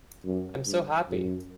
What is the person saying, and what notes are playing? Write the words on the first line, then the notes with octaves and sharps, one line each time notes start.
I’m so happy.
F#2
G2
F#2